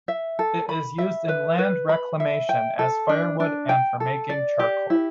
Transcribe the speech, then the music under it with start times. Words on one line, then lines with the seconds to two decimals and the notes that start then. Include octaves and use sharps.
It is used in land reclamation, as firewood and for making charcoal.
0.08 E5
0.39 A4
0.69 B5
0.98 E5
1.28 B4
1.59 B4
1.89 B5
2.20 E5
2.49 G5
2.79 A4
3.09 D4
3.40 D4
3.69 G5
4.00 A4
4.29 D5
4.59 G4
4.90 E4